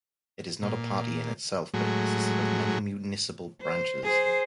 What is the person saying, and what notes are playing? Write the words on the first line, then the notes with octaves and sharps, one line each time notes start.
It is not a party in itself but consisted of many municipal branches.
A#2
A2 F#3 G#3
C5
G#4 C5